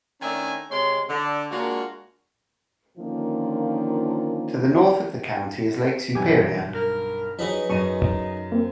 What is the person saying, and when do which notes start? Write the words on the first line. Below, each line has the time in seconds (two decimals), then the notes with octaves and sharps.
To the north of the county is Lake Superior.
0.21 D#3 A3 C#4 D4 E5 G#5
0.70 C3 G#3 C#5 C6
1.08 D3
1.51 G#3 A#3 D4 F4 F#4
2.98 D3 D#3 F3 A#3 C#4 F4
6.15 B1 G2 E3 G4 G#5
6.74 A#4
7.39 F3 F#3 D#4 G#4 B4
7.70 F#2 D#4 C#6 D#7
8.52 A#3 C4